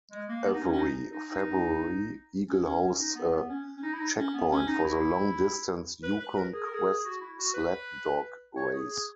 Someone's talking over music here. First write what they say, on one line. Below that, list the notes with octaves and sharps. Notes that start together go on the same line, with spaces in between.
Every February, Eagle hosts a checkpoint for the long-distance Yukon Quest sled dog race.
G#3
A#3
B3
D#4
C#4
C#4
D#4
D#4
D#4
C#4
C#4
C#4
D#4
B3
B3
C#4
C#4
D#4
E4
D#4
C#4
B3
C#4
D#4
E4
B4
B4
A#4
G#4
A#4
G#4
G#4
F#4
E4
F#4
B4
C#5
G#4
G#4